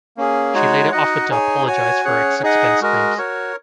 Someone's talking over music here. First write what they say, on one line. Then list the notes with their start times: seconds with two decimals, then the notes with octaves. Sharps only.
She later offered to apologise for her expense claims.
0.17 A#3 C#4 G#4
0.54 G#3 D#4 F#4 C#5
0.92 D#4 F#4 D#5 F#5
1.30 D#4 G#4 C#5 G#5
1.67 F#4 C#5 G#5
2.05 C#4 G#4 C#5 F#5
2.42 D#4 G#4 D#5 F#5
2.81 G#3 F#4 A#4 D#5
3.18 F#4 A#4 C#5